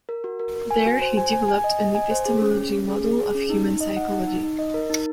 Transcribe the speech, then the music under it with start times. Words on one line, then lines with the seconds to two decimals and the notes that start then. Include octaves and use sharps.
There he developed an epistemology model of human psychology.
0.09 A#4
0.24 F#4
0.39 A#4
0.55 A#4
0.71 G#5
0.86 F#4
1.01 C5
1.17 G#5
1.33 G#5
1.48 G#5
1.64 D#5
1.80 D#5
1.95 G#5
2.11 C5
2.26 G#4
2.42 C#4
2.57 C#4
2.72 C#4
2.88 G#4
3.03 G#4
3.19 G#4
3.35 C#4
3.50 D#4
3.65 D#4
3.81 D#5
3.97 F#5
4.12 D#4
4.28 D#4
4.43 D#4
4.59 D#5
4.74 A#4
4.90 D#4